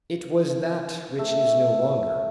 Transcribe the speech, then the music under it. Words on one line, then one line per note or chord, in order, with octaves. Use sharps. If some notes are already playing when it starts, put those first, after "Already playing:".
It was that which is no longer.
A3 E5